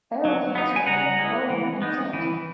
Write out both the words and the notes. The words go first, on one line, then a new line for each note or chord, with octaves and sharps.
Arrowheads were made of bone and flint.
F#3
B3 D#4
G#5
C#3 F#5 A#5
G#3 B3 E4
E3
B3 D#4
E3